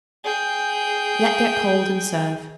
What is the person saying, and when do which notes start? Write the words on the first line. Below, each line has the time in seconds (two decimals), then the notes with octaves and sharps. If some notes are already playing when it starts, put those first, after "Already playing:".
Let get cold and serve.
0.24 G#4 G5